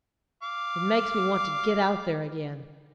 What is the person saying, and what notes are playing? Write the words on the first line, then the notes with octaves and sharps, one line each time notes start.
It makes me want to get out there again.
F5 D6